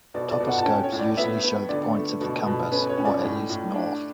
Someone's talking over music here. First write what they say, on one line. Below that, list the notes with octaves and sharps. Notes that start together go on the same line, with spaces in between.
Toposcopes usually show the points of the compass, or at least North.
B2 D5
D5
B2
F#5
A5
C#4 G5
C#5
A2
D5
B3 E5
B3
D3 D5
A3
B2
B2
C#4 B4
C#5
C#4
D5
A2
A2
D4